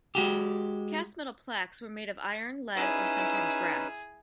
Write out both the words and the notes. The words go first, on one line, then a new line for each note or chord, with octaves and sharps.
Cast metal plaques were made of iron, lead, or sometimes brass.
G#3 F#4 G4
C#4 D#4 E4 G#4 B4 E6